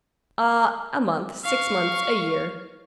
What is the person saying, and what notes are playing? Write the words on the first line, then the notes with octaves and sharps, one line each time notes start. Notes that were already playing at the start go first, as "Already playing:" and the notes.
"Ah, a month--six months--a year."
F5 C#6